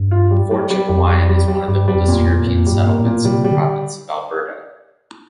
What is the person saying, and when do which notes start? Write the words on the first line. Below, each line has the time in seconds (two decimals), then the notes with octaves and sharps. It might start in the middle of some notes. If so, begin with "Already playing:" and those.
Fort Chipewyan is one of the oldest European settlements in the Province of Alberta.
Already playing: G2
0.11 F4
0.31 G3
0.51 G3
0.70 G3
0.89 F2 G3
1.09 G3
1.29 G3
1.48 G3
1.68 G2 G3
1.88 G3
1.95 F2
2.08 A#2
2.20 F2
2.27 A#2
2.47 F2 A#2
2.67 G3
2.72 G2
2.86 A#3
2.99 A2
3.05 A#2
3.25 C3 G3
3.44 G3
3.51 D3